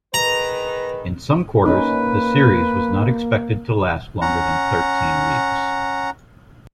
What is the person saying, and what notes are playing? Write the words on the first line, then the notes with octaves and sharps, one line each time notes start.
In some quarters, the series was not expected to last longer than thirteen weeks.
D#3 G#4 B4 A#5
A#3 C#4 D#4 B4
C#4 F#5 A#5